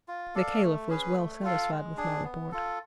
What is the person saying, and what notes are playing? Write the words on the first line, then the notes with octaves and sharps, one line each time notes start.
The Caliph was well satisfied with my report.
F4
A4 D5 F5
A3
C#4 G#4 B4
A3
F4 A4 F5
G#3
D4 G#4
B3
F4 A4